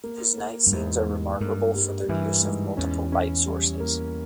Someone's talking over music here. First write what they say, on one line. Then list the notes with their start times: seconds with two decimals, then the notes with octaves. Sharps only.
His night scenes are remarkable for their use of multiple light sources.
0.04 A#3
0.38 A#3
0.67 G2
0.72 E2 G#2
1.06 G#2
1.41 G2 A#3
1.75 G3
2.09 G2 E3
2.43 G#2
2.77 E2 C#4
3.12 C#4
3.46 G3
3.80 A#3